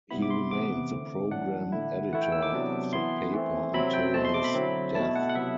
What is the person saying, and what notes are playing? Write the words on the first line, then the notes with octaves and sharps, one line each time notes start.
He remained the programme editor of the paper until his death.
C3 G3 B3 E4 B5
D6
C6
C3 E3 B3 D6
D3 A3 C4
A2 E3 G3 D4 F#5
D3 A3 E4
E3 A3 E4 F#5
G5
E6
D6
C3 F#3 B3 D4
E3 B3 E4 C6
E3 A3 C4
C3 F#3 C4 E4 B5
G5
B2 A3 C4 A5
C6
D6
B5
D3 F#3 C4 E4
B2 A3 E4 A5
F#5
F#5
C3 F#3 B3 E4 E5